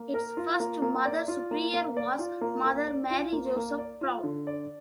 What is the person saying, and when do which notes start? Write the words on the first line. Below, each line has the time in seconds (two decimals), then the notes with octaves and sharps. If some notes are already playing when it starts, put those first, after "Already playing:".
Its first Mother Superior was Mother Mary Joseph Prout.
Already playing: A#3
0.14 A#4
0.37 F4
0.60 A#3
0.82 A#3
1.05 D5
1.28 F4
1.51 A#3
1.74 A#3
1.97 D5
2.19 F4
2.41 A#3
2.64 A#3
2.87 D5
3.10 F4
3.32 A#3
3.56 A#3
3.78 D5
4.01 F4
4.23 D3
4.47 D5